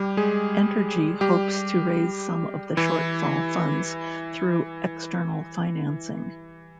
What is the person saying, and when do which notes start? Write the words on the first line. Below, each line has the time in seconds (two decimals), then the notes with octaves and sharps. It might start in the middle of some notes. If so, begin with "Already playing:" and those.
Entergy hopes to raise some of the shortfall funds through "external financing".
Already playing: G3 G4
0.17 G#3 G#4
1.21 G3 G4
2.77 E3 E4